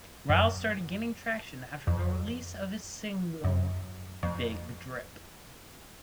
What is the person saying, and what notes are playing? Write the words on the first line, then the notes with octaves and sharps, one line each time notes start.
Ryles started gaining traction after the release of his single "Big Drip".
F#2
F2
F#2
F2